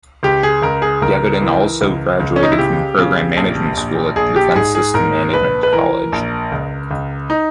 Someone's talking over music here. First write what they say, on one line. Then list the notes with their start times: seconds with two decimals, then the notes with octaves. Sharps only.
Geveden also graduated from the Program Management School at the Defense Systems Management College.
0.23 C#2 G4
0.43 G#4
0.62 C#2 A#4
0.82 G#4
1.02 C#2 A#4
1.41 E3
1.81 C#2
2.20 C#2
2.36 C#4
2.43 D#4
2.52 E4
2.58 C#3 G4
2.99 C#3
3.37 A#1
3.77 A#1
4.16 A#1 G#4
4.36 G4
4.55 G#2 G#4
4.75 G#4
4.94 G#2 A#4
5.33 A#1 B4
5.63 B4
5.73 E3 A#4
6.12 A#1
6.52 C#2
6.91 C#2
7.30 D#4